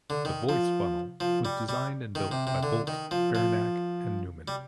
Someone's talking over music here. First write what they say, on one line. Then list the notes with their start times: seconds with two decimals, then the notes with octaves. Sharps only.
The Voice Funnel was designed and built by Bolt, Beranek and Newman.
0.10 D3
0.25 D#3
0.49 F3
1.20 F3
1.45 G3
1.69 G3
2.15 D#3
2.32 C3
2.47 C3
2.63 D3
2.87 D#3
3.11 F3
3.35 F3
4.48 G3